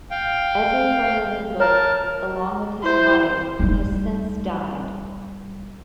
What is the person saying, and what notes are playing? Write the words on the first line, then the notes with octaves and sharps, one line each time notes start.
Every player in the book, along with his wife, has since died.
F5 G5
A#4 C#5 A5
E4 C5
G3 D#4